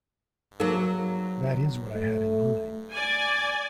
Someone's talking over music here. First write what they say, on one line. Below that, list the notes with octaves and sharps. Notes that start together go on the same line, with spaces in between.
That is what I had in mind.
F#3 A#3 D#4 G#4 A#4
A3
D5 G#5